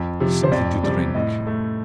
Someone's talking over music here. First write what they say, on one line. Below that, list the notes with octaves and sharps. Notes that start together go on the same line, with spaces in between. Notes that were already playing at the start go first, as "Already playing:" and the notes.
"Something to drink."
Already playing: F2
C3 F3
C5
F2 D5
C3 G3 D5
A2 D#5
A3